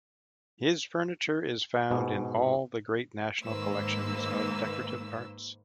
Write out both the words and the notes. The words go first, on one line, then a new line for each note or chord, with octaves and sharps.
His furniture is found in all the great national collections of decorative arts.
G#2 B2
G#2 D#3 A#3 B4 C5 E6